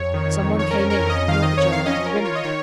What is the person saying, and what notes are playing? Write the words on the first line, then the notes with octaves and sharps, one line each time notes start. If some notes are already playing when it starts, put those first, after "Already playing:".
Some one came in; not the gaoler--a woman.
Already playing: F2 C#5
D#3
F2
C#5
C#4 A#4
A#4
F2
D#5
D#3 F5
D#5
F2 C#5
F5
C#4 D#5
A#4
F4
C#5
D#5
D#3 C#5